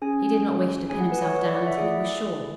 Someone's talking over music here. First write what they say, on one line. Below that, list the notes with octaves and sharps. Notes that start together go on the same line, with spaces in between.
He did not wish to pin himself down until he was sure.
C#4 G#4 G#5
A3 E4 G#4 G#5
F#5
B4
C#5
C#5
D5
F#5
E5
A3 E4 G#4 D5